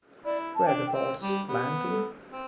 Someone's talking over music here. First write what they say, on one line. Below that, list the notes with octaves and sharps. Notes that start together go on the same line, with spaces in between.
Were the boats landing?
E4 D5
A5
D4 G5
G5
C4
G3
G4
B3 G4
A4
C4